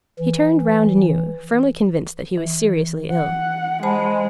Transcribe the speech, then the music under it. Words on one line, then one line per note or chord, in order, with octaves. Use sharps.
He turned round anew, firmly convinced that he was seriously ill.
E3
E3
F#5
G#3 C5 A5 B5